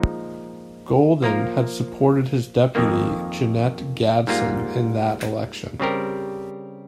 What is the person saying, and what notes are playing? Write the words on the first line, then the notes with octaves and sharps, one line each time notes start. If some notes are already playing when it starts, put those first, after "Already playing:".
Golden had supported his Deputy Jeannette Gadson in that election.
Already playing: A#2 F3 G#3 D#4
F3 A#3 F4 A#4
F2 D#3 A#3
G#2 G3 A#3 F4
C#3 G3 C4 G4 A#4